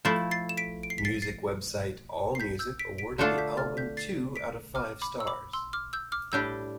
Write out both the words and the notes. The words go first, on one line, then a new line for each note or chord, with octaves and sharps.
Music website AllMusic awarded the album two out of five stars.
F3 A3 E4 A6 C7
A6 C7
E7
B6 D7
D7
C7
B6
A6 C7
A6 C7
C7
G6 B6
E6 G6
B6 D7
B6 D7
D3 A3 D4 F4 A4
G6 B6
F6 A6
G6 B6
A6 C7
B6 D7
D6 F6
B5 D6
E6
B5 D6
C6 E6
D6 F6
E6 G6
D6 F6
A2 G3 D4 G4 E6 G6